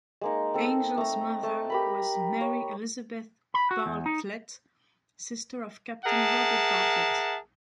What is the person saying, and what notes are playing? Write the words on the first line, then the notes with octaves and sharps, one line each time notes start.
Angel's mother was Mary Elizabeth Bartlett, sister of Captain Robert Bartlett.
G#3 A#3 D#4
C4 A4
A3 A#5
A3 A5
G4 A#4 B5
C#5
B5
F#4
E2
D#4
G#4 A#4 E5 F#5 A5